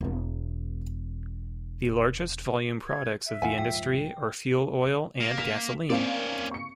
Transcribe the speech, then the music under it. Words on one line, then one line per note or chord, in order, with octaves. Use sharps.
The largest volume products of the industry are fuel oil and gasoline.
E1 E2
G#6
E5
E2 D#3 F4 F#5 G#5
D#1 G#2 F3 G5
A#3
B6 E7 F7
A#3 C4 C#4 D5 F5
C#6 C#7